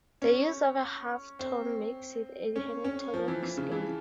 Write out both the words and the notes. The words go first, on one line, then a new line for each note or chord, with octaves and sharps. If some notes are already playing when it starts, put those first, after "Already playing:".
The use of a half tone makes it a Hemitonic scale.
C#4
C4
C#4
C#4
F3
E3
E3
C#3
E3